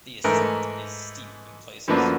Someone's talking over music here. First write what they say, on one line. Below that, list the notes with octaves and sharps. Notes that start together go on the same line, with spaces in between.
The ascent is steep in places.
G#2 E3 A3 A#4
F#2 D3 F3 A#3 D4 B4